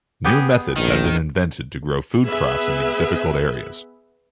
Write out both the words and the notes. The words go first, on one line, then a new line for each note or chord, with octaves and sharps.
New methods have been invented to grow food crops in these difficult areas.
B3 G4 G#4
A#1 D#3
B3 G#4 B4 E5